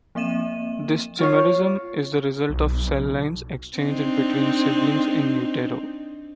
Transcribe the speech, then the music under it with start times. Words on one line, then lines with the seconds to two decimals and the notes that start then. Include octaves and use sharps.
This chimerism is the result of cell lines exchanged between siblings in utero.
0.15 F3 A#3 C4 E5 D#7 E7
1.19 F4 C#5 F5
2.49 B1
3.78 C4 D4 D#4